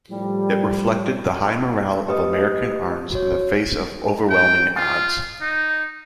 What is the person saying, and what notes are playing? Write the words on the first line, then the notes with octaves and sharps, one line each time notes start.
It reflected the high morale of American arms in the face of overwhelming odds.
A2 F3 G3
A3 G4 B4 D#5 D#6
F#4 C#5
G5
F4
D#4